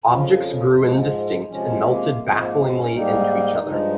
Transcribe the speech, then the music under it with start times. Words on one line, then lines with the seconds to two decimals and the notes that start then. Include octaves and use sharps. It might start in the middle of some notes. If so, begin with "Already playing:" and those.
Objects grew indistinct and melted baffingly into each other.
0.07 F2 C#3 F3 F4
0.78 G#2 F3 G#3
1.50 C3 F3 G#3 C#4
1.87 A#3
2.22 G#2 F3 G#3 C4
2.41 A#3
2.58 C4
2.76 C#4
2.94 G#2 G3 A#3 D#4
3.65 G2 F3 G#3 D#4